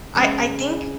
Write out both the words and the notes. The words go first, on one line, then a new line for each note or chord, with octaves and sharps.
I I think
C#3 G#3